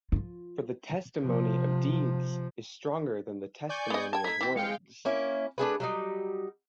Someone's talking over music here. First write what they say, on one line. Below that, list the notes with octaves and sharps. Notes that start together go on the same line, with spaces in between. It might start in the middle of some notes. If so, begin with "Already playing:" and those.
For the testimony of deeds is stronger than the testimony of words.
F3 F4
C3 F3
D5 G#5 C#6 G6
B3 D#5
G5 A5 G#6
A3 D#4 B6
E3 C4
G#3 F5 G5 C#7
A#3 C#4 E4
A3 D4 G#4 B4
F#3 G3 D#4